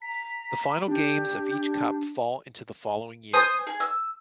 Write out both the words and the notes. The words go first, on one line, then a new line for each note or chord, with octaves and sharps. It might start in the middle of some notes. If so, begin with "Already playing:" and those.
The final games of each Cup fall into the following year.
A#5 B6
D4 G4
C5 G#5 D#6
G#4
E6